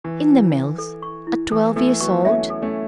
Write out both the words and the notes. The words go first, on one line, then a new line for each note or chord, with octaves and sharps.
"In the mills--at twelve years old!"
E3 C#6
E4
F#5
A4
C#6
E4
E3 A4
E3 A3 A4
F#3 B3 C#6
A3 C#4 E5
A4
A3 C#4